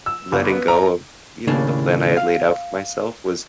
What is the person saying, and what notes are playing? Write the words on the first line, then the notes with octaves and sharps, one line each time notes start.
letting go of, you know, the plan I had laid out for myself was
E6
G1
B3
A#5
D#2 A2 C#3 A#3 D4
F5